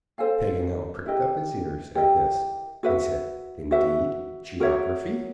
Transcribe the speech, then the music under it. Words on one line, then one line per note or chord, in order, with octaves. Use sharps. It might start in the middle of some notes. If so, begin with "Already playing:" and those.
Paganel pricked up his ears at this, and said, "Indeed, geography!"
A4 C5 F5 G#5
E4 G4 A#4 D#5
E4 G4 A#4 D#5
F#4 B4 E5
F#4 B4 E5
F#4 A#4 C#5 E5